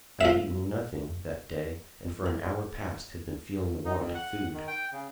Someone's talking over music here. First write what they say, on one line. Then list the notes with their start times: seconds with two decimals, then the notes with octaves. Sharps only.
I had eaten nothing that day, and for an hour past had been feeling the want of food.
0.21 F3 E5
3.85 D#4
3.98 F2
4.15 F#5
4.53 D#3
4.67 G5
4.92 C#3